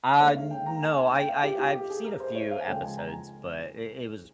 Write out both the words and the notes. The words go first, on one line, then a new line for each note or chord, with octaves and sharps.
Uh, n no, I I I've seen a few episodes, but it it was r
D#2 D#3 G#3 C#5
F5
G5
A#5
G#5
G#5
G5
F5
G4
G4
G4
G#4
A#4
C5
C#5
F5
G#5
C#2 C#3 F3 G#3 G5
G#5
A#5
G#5